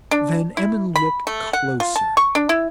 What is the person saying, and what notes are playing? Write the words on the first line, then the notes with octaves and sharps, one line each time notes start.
Van Emmon looked closer.
D4
E4
B5
A3
F#5
F4
A5
C#6
D4
E4